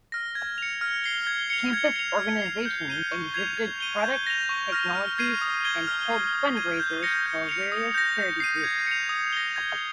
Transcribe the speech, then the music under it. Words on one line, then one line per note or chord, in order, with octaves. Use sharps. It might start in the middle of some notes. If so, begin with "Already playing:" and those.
Campus organizations exhibited products, technologies, and hold fund raisers for various charity groups.
F6 A#6
G#6
C#7 F7
F6
C7 G7
G#6
C#7 F7
G#6
C#7 F7
F6
C7 F7
G6
C7 D#7 G7
C#6
G#6 C7 F7
G#6
D#7 G7
G6
A#6 F7
C#6
F6 A#6
F6
G#6 C7 D#7
D#6
G#6 D#7 G7
F6
C7 G7
D#6
G#6 D#7 G7
G6
A#6 C#7 F7
G6
C#7 F7
D#6
G6 A#6
G6
C7 D#7
G#6
C#7 F7
D#6
A#6 C#7 G7
G#6